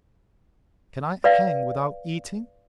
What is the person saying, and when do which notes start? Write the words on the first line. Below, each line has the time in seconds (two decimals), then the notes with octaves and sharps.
Can I hang without eating?
1.24 B4 D5 F5